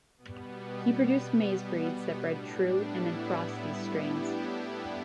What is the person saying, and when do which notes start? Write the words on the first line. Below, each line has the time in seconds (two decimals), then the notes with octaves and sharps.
He produced maize breeds that bred true and then crossed these strains.
0.17 B2 G3 B3
1.22 B2 G3
2.27 A2 G3 D4
2.80 B3 E4
3.32 A2 G3
3.84 D4 G4